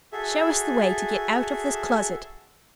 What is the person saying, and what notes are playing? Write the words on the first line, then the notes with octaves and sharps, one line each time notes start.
Show us the way to get out of this closet.
F#4 G#4 A4 E5